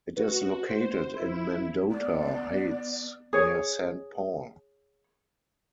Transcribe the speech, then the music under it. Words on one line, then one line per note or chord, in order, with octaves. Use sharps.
It is located in Mendota Heights near Saint Paul.
F#4 B4
C5
E4
B3 D5
G#4 C#5